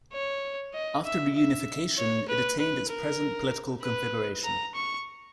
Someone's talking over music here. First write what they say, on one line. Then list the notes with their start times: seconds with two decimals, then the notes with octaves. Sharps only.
After reunification it attained its present political configuration.
0.13 C#5
0.74 D#5
1.05 E5
1.36 E5
1.98 C#5
2.28 B4
2.59 B4
2.90 A#4
3.82 B4
4.44 A#5
4.75 C#6